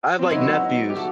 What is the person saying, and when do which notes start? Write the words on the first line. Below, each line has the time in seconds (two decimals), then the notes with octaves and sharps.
I have, like, nephews.
0.19 C4
0.30 F#3 B3 D#4 E4
0.46 F#4
0.63 D#4
0.90 G4
0.96 A3 F#4